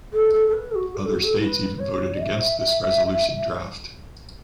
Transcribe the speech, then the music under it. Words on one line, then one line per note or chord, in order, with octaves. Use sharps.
Other states even voted against this resolution draft.
A4
A4
A4
B4
A4
F#4
B4
A4
F#4
A4
B4
C#5
E5